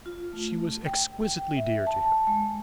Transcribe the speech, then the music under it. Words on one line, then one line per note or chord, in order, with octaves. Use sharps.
She was exquisitely dear to him.
F4
A3
G5
E5
A5
G#3